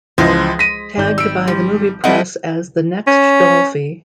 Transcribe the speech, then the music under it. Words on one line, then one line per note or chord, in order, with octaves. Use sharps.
Tagged by the movie press as the Next Dolphy.
C#2 E3 F3 G#3 C5
A#6 B6 D#7
G#1 D5 G6
G3 E6 D7
F3 G3
G3 C4 E4 A4 D#5 F#5
C#4